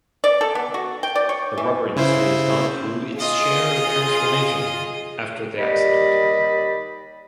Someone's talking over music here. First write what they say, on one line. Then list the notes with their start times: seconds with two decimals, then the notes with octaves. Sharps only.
The rubber industry has gone through its share of transformation after the accident.
0.24 D5
0.41 A4
0.55 B3
0.74 F#4
1.03 G5
1.15 D5
1.29 C#5
1.58 E3
1.96 C#3 E4 C5
3.18 F4 G#4 D#5
5.58 D#2 G3 D5 D#5 B5